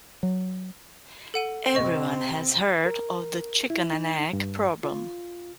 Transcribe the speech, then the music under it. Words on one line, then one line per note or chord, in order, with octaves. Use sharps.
Everyone has heard of the chicken and egg problem.
F#3
A4 F#5 D#7
C3 C4 D#5 C#6
A#4
E4
D#4
G2
F4